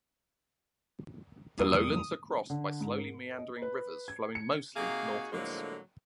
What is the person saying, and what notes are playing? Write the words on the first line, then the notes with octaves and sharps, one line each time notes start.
The lowlands are crossed by slowly meandering rivers flowing mostly northwards.
F2 G3 A#3 D#6
D3
G#2
A#4
D#5
B4
G#6
C#7
C3 A#3 D#4 F#4 G#4 F5
A2 D3 F3 F#3 G#3 A#3